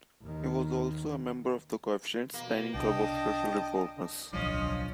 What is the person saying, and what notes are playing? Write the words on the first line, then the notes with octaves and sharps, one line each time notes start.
He was also a member of the Coefficients dining club of social reformers.
D#2 D#3
B2 A#3
C2 D4 D#5 G5 A5
D1 B1 F3 G3 C#4 D4 D#5